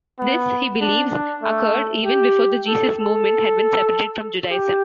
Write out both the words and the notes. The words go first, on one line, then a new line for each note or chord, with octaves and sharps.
This, he believes, occurred even before the Jesus Movement had been separated from Judaism.
B3
D4
D4
A3
G4
A4
A4
G4